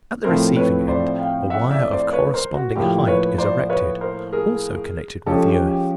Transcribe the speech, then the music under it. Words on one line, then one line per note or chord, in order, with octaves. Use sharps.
At the receiving-end a wire of corresponding height is erected, also connected with the earth.
A2 F3 A3 C4 A#4 C5
B4 C#5
C5 D5
F5 G5
E5 F#5
D5 E5
C5 D5
B4 C#5
A#4 C5
F#4
A2 F3 A#3 G4
B4 C#5
C5 D5
B4 C#5
A#4 C5
G#4 A#4
F3 G#3 C#4 G4 A4
G4
G4